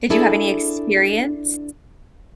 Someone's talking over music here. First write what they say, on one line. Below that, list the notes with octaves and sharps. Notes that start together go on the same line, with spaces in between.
Did you have any experience?
D4 E4 G#4 A4